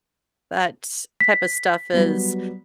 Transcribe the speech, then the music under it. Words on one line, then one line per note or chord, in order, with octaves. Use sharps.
that's type of stuff is
B6
F#3 G3 B3